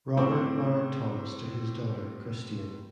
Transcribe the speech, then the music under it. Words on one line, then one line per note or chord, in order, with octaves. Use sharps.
Robert married Thomas to his daughter Christian.
A2 C4 C5 C#6 D6